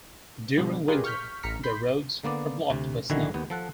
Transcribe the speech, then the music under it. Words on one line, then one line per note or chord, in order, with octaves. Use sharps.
During winter, the roads are blocked by snow.
B2 D3 G3
F4 G4 G#4 A#4 B4 D5
C#6 F6 G6 B6
A1 A#5 F6 B6 C#7
B5 C6 G6 B6
D3 A#3 B3 D5
D2 C3
A#1 D3 D#3 E4 F#4 G#5
D#2 B3
F3 A4 F#5